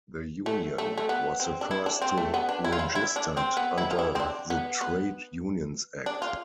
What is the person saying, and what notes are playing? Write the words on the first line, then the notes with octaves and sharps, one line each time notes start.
The union was the first to registered under the Trade Unions Act.
A3
A3
A3
B3
C4
D4
E4
D4
C4
A3
B3
D4
E4
F4
E4
E4
D4
C4
B3
E4
F4
E4
C4
D4
B3
B3
D4
F4